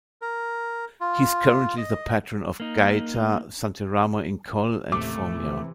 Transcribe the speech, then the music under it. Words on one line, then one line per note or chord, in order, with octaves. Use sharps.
He is currently the patron of Gaeta, Santeramo in Colle and Formia.
A#4
F4
D#5
A#3 D#4
A1 D#2 C3 A3 D6
C3 E3